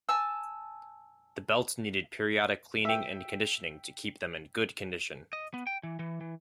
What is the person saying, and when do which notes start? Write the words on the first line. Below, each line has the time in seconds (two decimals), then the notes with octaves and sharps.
The belts needed periodic cleaning and conditioning to keep them in good condition.
0.09 G#5 A5 E6
2.85 E5 G5
5.33 D#5
5.54 B3
5.67 G5
5.83 E3
5.99 E3
6.21 E3